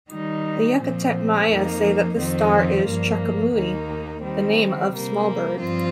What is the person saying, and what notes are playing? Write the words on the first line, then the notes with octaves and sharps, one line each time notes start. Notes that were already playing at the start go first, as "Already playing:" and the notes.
The Yucatec Maya say that this star is "chakumuy", the name of small bird.
D#3 G3 D#4
A#2 F3 C4
F2 F3 A#3 D#4
F2 D#3 C4 F4
G2 F3 A#3
D#2 D#3 A#3 D#4
D#3 G3 C4
C3 G3 A#3
G2 F3 C4 F4